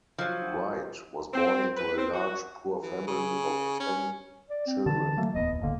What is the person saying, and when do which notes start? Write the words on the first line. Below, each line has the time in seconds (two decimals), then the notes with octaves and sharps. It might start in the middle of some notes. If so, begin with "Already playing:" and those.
Wright was born into a large poor family of ten children.
0.18 F3 F#3
1.34 C4
1.77 B4
1.97 C4
2.14 F#4
2.83 E3
3.07 C#3
3.80 C#4
4.50 D5
4.67 C4
4.86 D3 E3 A5
5.17 F#3 A3 A#3
5.35 D1 E2 B3 D#5
5.60 D1 G1 D3 A#3